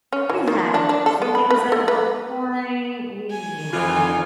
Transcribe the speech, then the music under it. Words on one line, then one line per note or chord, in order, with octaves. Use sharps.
we had chickens at one point, we had
C#4
E3
D#3
D4
D4
A4
B3
B5
B4
A4
B4
G#5
F2 E3 D#4 F4